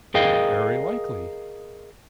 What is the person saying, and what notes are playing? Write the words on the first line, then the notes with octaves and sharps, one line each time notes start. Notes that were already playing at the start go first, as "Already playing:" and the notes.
"Very likely."
G#4 A#4 D#5 F5 G5